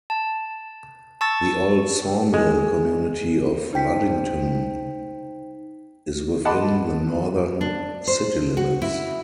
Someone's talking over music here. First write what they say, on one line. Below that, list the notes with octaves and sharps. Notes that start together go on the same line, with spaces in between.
The old Sawmill community of Luddington is within the northern city limits.
A5
A5 C#6 E6 A6
G#3
D#4 C5 G5 B6
D#5 F#5 A5 B5 C6 D6
D4
C5
F#4
E4